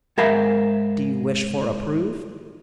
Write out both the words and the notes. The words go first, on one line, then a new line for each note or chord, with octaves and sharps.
"Do you wish for a proof?"
G#2 G#4 A#4 E5 F5 B5